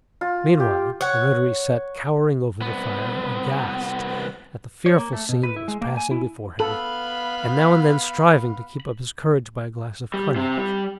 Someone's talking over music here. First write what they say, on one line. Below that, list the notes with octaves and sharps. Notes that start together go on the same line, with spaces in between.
Meanwhile the notary sat cowering over the fire, aghast at the fearful scene that was passing before him, and now and then striving to keep up his courage by a glass of cognac.
F4
G4
C#5 F#5
C2 B3
C#5
A#3
A3
B2
B4
E4
G#3
A#3
G#5
E4
B3 A4 F5 B5
G3
C3 C4
G3